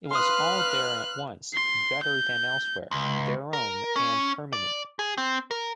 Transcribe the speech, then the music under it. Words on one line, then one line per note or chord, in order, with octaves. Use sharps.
It was all there at once, better than elsewhere, their own, and permanent.
B4 F5 C6 D#6 F6 F#6
C6
G6
C#2
A#4
C#4
D5
G#4
C4
A#4